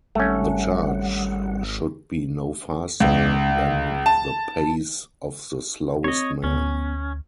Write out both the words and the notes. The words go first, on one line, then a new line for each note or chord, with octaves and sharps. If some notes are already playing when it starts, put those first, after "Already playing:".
The charge should be no faster than the pace of the slowest man.
G#1 G3 A3 C#4 F#5
C#2
A5
C4 C#5 D#5
D2 B3 C#4